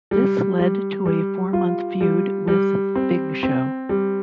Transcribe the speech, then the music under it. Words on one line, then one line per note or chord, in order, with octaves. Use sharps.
This led to a four-month feud with Big Show.
G3
G3
G3
F4
G3
G3
C4
C4
G3